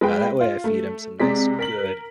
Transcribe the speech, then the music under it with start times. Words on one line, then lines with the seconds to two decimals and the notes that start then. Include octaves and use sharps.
uh, that way I feed 'em some nice good
0.01 G#3 B4 G5
0.41 F4
0.64 A3
1.20 C3 G#3 D5 B6
1.59 A#4 B6 F#7